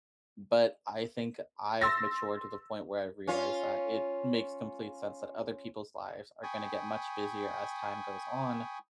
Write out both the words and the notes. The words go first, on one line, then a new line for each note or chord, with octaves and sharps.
But I think I've matured to the point where I realized that it makes complete sense that other people's lives are gonna get much busier as time goes on
C6 E6 A6 A#6
C#4 F4
G5 G#5 B5 C#6 D#6